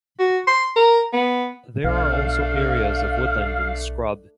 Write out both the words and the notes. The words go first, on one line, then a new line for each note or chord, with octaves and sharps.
There are also areas of woodland and scrub.
F#4
C6
A#4
B3
B1 A3 D4 F5